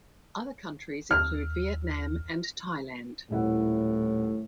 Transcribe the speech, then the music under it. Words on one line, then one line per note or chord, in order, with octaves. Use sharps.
Other countries include Vietnam and Thailand.
D#2 F6
D#1 A2 E4 F#5